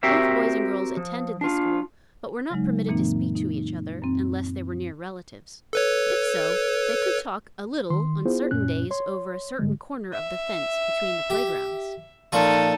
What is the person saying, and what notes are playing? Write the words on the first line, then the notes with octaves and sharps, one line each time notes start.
Both boys and girls attended this school, but were not permitted to speak to each other unless they were near relatives; if so, they could talk a little on certain days over a certain corner of the fence, between the playgrounds!
C4 F#4 G4 A#4 C5 E5
F3
D4 F4
C#3 F#3 G#3 D#4
F#2 A#2 E3 A#3 C4 D#4
D#4
F#2 C4
A4 B4 C#5
D#3 C6
B3 E4 F4 G#4 C5
F#2 A#2 C#4 F#6
C#5 C6
G#2 D3 G3 G#3
E5
G4
A#2 F3 D#4 A4 C#6